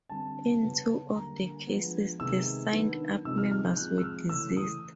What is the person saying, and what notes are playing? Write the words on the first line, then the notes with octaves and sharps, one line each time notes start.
In two of the cases, the signed-up members were deceased.
D3 G3 C4 A5
C#3 F#3 B3
D3 G3 A#3 A#5
F3 G#3 B3 D4
C3 D#3 G#3 B3 D#4 E6
D#3 F#3 B3 D4
C3 F3 G#3 C4 D#4 E6
F6
F6
G6
F3 G#3 C4 F#6
E6
F6
C#3 E3 A3 C#4 E6
D#6